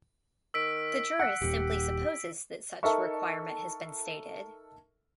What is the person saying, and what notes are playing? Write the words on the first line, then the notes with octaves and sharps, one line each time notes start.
The jurist simply supposes that such a requirement has been stated.
D#3 E6 B6 D7
F#5
D#1 D#2 G4
D#4 A4 A#4 E5 C#6